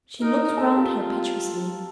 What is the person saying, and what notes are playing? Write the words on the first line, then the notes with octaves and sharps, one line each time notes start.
She looked round her piteously.
D#4 A#4
A#4
A4
F4 G4